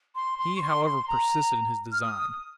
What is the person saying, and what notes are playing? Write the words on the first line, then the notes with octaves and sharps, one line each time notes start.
He, however, persisted in his design.
C6
C6
C#6
C6
C6
A#5
F6
D#6